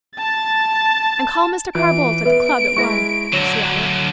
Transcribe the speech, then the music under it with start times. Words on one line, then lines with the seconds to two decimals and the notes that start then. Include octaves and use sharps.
"And call Mr. Carr-Boldt at the club at one," she added.
0.17 A5 A6
1.75 E3 F4 E5 D7
2.25 B3 B4 E5
2.77 G#3 E4 C#6 A#6
3.33 D3 F#3 C#5 A#6 F#7